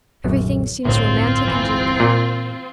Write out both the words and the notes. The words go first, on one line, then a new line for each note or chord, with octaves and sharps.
Everything seems romantic and dreamlike.
D#1 B1 F#2
G1 C2 A2 C4 F4
E3
A#2